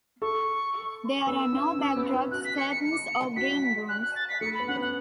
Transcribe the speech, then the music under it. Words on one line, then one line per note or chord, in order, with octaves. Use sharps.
There are no backdrops, curtains or green-rooms.
A4 C#6
B3 E6
C#4
C#4
B3
C#4
F#4 F#6
B6
C#7
C#7
C#7
F#4 B6
F#6
F#6
A6
B6
A3 C#7
B5
B3
C#4 F#5
B3
F#5